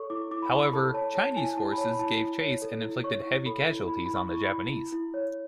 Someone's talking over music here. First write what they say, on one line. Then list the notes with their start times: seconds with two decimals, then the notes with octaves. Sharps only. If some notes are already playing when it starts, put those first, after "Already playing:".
However, Chinese forces gave chase and inflicted heavy casualties on the Japanese.
Already playing: A4 C#5 C#6
0.10 E4 D6
0.31 E4 D6
0.42 B5
0.52 E4 C#6
0.63 B5
0.73 A4 A5
0.94 C#5 A5
1.15 C#5 A5
1.31 A5
1.36 E4 G#5
1.57 E4 A5
1.72 B5
1.78 C#5 A5
1.93 B5
1.99 E4 A5
2.20 E4
2.41 C#5
2.62 A4
2.83 E4
3.04 C#5 C#6
3.25 E4
3.46 A4 B5
3.67 E4
3.88 E4 B5
4.06 E4 B5
4.16 C#6
4.29 E4
4.44 B5
4.51 E4
4.71 E4
4.92 E4
5.14 C#5